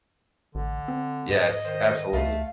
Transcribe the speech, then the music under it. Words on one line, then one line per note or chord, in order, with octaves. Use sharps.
yes, absolutely.
A1 D3
C4
G#2 B4 D#5
D#3 C5
C#2 A3 F5